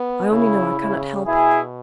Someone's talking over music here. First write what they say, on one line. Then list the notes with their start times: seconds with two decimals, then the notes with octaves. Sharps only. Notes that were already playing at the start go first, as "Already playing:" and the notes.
I only know I cannot help it.
Already playing: B3
0.31 C#3 E4
0.79 C#3
1.26 B2 E4 G#4